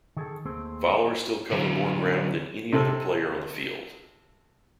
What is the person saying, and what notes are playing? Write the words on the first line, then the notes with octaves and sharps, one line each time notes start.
Followers still cover more ground than any other player on the field.
D#3 G#4 A4
D#2 A3 C4 G#4
D3 F#3
C3 A4